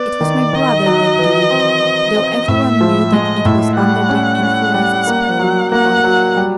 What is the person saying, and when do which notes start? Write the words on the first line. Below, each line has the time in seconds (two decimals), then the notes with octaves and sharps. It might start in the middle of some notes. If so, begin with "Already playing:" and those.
It was my brother that did it, though everyone knew that it was under the influence of Sparrow MacCoy.
Already playing: B3 D5
0.21 D#3
0.53 D#3 D#5
0.86 F#3
1.18 E3
1.50 C4
1.83 C4
2.16 C4
2.48 A2 E5
2.81 F3
3.12 G#3 D#5
3.45 A2 E5
3.77 G3 F#5
4.09 C#4
4.42 C#4
4.74 G3
5.07 A#3
5.39 F#3
5.72 A#3 F#5
6.04 F#3
6.37 G3